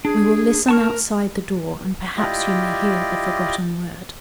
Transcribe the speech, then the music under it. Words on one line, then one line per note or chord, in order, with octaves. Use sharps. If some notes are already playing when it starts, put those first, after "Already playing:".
We will listen outside the door, and perhaps you may hear the forgotten word.
D4 G#4
A#4 A5 C#6 F6
E4 F4 G4 D5 D#5